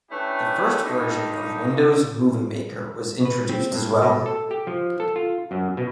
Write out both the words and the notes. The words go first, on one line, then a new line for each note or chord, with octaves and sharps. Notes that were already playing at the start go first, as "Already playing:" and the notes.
The first version of Windows Movie Maker was introduced as well.
A3 C#4 D4 E4 G4 B4
G2 D#4
B4
C4
G2
B2
A4
G4
F3
A4
F4
F#2
B2